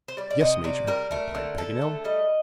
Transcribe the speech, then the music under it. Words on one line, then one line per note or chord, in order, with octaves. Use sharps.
"Yes, Major," replied Paganel.
C5
G3 D5
D5
C3 D#5
C3 D5
G3 A#4
A3 A#4
D3
D3 A4
A3
G3 D#5